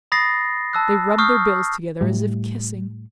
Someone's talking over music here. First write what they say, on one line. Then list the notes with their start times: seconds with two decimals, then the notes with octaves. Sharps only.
They rubbed their bills together as if kissing.
0.12 B5 D#6 A6 A#6 C7
0.73 A5 E6 F#6
1.18 C#6 D#6 F6 G6 C7
2.01 A2 G3